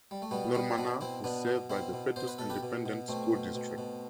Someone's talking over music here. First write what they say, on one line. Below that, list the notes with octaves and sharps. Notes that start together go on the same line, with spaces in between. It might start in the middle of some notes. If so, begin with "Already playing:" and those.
Normanna is served by the Pettus Independent School District.
G3
A3
B2 G3 B3
B2 G3 B3
C4
B2 B3 D4
B2 C4 E4
B2 B3 D4
B2
B2 C4 E4
B2
B2 C5
B4
B2 A4
G4 B4
B2
B2
B2 A3 C4
B2
B2
B2